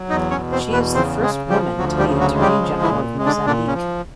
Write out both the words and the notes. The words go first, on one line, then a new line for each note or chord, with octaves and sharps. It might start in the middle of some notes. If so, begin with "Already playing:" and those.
She is the first woman to be Attorney General of Mozambique.
Already playing: F#3
E2 D#4 D#5
C#4 C#5
B2
C4 C5
E2
B3 B4
C#3 C4 C5
G#3 G#4
F3 G3 G4
D2 F#3 F#4
G3 G4
C#3
F#3 F#4
G#3
G3 G4
F3
E3 E4
A#2
G#3
D3 D4
A#2 D3 D4
C#3 C#4
F3